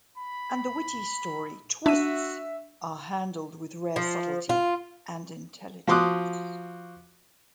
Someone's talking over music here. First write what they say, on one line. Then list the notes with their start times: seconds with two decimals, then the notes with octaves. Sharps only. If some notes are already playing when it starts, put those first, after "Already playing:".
And the witty story twists are handled with rare subtlety and intelligence.
0.18 B5
1.86 D4 F#4 E5 D#7
3.96 F3
4.49 F4
5.87 F3 F#4 C6 D6 D#6 F#6